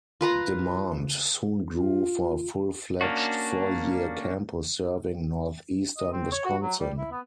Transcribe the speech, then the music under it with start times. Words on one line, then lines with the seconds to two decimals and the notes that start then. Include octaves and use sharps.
Demand soon grew for a full-fledged four-year campus serving northeastern Wisconsin.
0.21 F4 B4 A#5
1.74 F4
3.01 A#3 C#4 D4 F#4
5.97 D#5
6.12 C4
6.32 C#5
6.45 F#4
6.62 F#3
6.80 G3
6.98 E4
7.11 B3